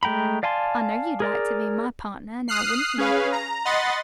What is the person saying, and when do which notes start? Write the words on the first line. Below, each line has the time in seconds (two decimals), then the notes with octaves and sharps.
I know you'd like to be my partner, now wouldn't you?
0.03 G#3 A3 G5 A#5 B5
0.43 D5 F5 G#5 A5 C6
1.20 G#4 A#4 D5
2.48 D#6 F6 F#6 C7
2.98 C#4 G#4 B4 F5
3.32 A#5
3.65 D#5 F#5 B5 C6 A6